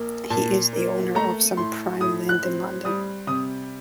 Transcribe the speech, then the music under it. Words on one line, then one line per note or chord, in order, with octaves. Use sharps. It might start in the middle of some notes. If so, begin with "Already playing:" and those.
He is the owner of some prime land in London.
Already playing: A#1 A#3
A#2 A5
A#3
A3 A#5
A2 C6
A2 D#6
F#6
C4
G3 D#6
C3 D#6